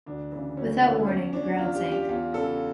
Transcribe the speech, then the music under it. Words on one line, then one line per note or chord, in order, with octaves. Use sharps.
Without warning, the ground sank.
D2 D4
C#3 E3
D2 C#4
C#3 E3 E4
E2 C#4
E3 D4
E2 F4
G4
E3
G4
E2 F4
C#3 E3 A4